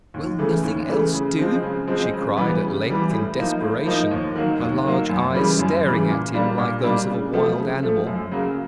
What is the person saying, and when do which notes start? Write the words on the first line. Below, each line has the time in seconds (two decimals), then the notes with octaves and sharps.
"Will nothing else do?" she cried at length, in desperation, her large eyes staring at him like those of a wild animal.
0.14 D#2
0.39 C#3 E3 A3
0.63 D#2
0.88 C#3 E3 A3
1.14 C#3
1.38 F3 G#3 C4
1.63 C#3
1.88 F3 G#3 C4
2.13 C#3
2.37 E3 G3 B3
2.62 C#3
2.86 E3 G3 B3
3.11 A2
3.36 F3 A#3 D#4
3.61 A2
3.86 F3 A#3 D#4
4.11 D#2
4.35 D#3 F#3 A#3
4.60 D#2
4.85 D#3 F#3 A#3
5.09 F#2
5.35 C#3 E3 G3
5.59 F#2
5.84 C#3 E3 G3
6.08 A#2
6.34 G3 A#3 D4
6.58 A#2
6.83 G3 A#3 D4
7.09 C#3
7.33 F3 A3
7.57 C#3
7.83 F3 A3
8.07 F#2
8.31 C#3 F#3 A#3